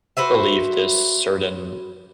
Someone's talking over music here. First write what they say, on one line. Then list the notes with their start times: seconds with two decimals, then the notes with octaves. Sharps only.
believe this certain
0.17 F#4 B4 C5 E5